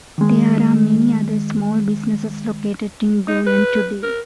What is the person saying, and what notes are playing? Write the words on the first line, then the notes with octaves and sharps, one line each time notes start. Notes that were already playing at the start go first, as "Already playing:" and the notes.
There are many other small businesses located in Gulen today.
D#3 G#3
D#4
B4
A#4